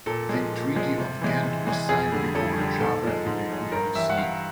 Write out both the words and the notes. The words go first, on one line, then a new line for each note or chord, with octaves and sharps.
The Treaty of Ghent was signed before "Java" could be put to sea.
A#2 A4
F3 G#3
A#2
F3 G#3
C3
E3 G#3
C3
E3 G#3
F2 G#4
D3 G3
F2 A4
D3 G3
G#2 A4
F3 G#3
G#2
F3 G#3
G2 A#4
E3 G3 E5
F#5
G2 F5